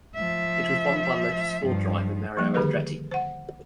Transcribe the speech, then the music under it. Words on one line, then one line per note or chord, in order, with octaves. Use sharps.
It was won by Lotus-Ford driver Mario Andretti.
F3 E5
G2 F3
F3 G3 A#3
D3 D#3 G4 G#4 A#4 B4
C5 F#5